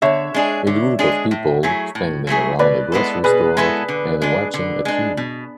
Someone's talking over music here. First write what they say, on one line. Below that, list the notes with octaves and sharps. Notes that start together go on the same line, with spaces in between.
A group of people standing around a grocery store and watching a tv.
D3 C#5 E5
G#3 D4 G#4
D3
G#3 D4 G#4
A2
F#3 A3 E4 G#4
A2
F#3 A3 E4 G#4
B2 B4 D5
G#3 B3 E4 A4
B2 G#4 B4
G#3 B3 E4 A4
D3
G#3 D4
D3
G#3 D4
B2